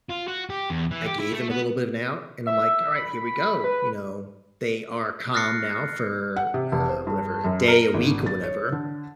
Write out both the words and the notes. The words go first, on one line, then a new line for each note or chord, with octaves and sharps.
I gave them a little bit of an out and I'm like, "Alright, here we go." You know, they are calm now for, uh, whatever, a day, a week or whatever,
F4
F#4
G4
E2
E3
G4
E4
A3
B3
E5
B5
B4
F6 F#6 A6 A#6 C7 C#7
F#5
C3
F1
C5
G2
F#2
A#4
G#1
A6
C#5
D3